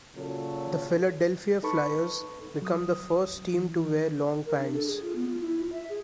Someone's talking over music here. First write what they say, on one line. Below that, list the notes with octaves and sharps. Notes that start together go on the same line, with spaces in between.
The Philadelphia Flyers become the first team to wear long pants.
A#2 C#3 F#3 A4
D#4 A4 B4 A5 B5 C#6
F#3 D#6
E3
A#4
D4
A4
G#4
F4
B3
F4
E4
F4
E5
G#4